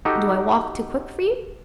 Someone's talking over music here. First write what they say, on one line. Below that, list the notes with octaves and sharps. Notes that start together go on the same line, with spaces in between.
'Do I walk too quick for you?'
D#4 F#4 G4 A4